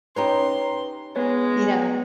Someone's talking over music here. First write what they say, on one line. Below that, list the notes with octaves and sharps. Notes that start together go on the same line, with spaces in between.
You know?
C#4 D#4 G4 B4 A#5 C6
G#3 B3 B4 C#5